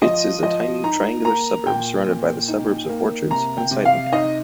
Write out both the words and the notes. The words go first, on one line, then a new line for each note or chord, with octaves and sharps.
Its is a tiny triangular suburb surrounded by the suburbs of Orchards and Sydenham.
F3 D#5
F3 D#5
D#4 A#5
A#3 A#5
A#2 G5
A#2
D#4
A#3
C3 A#5
G5
C3
F5
D#4 D#5